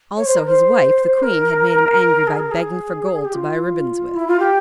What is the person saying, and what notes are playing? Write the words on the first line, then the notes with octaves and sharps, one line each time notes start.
Also his wife, the Queen, had made him angry by begging for gold to buy ribbons with.
C#5
C5
A#4
C5
A#4
G#4
A#4
G#4
G4
F4
E4
F4
G4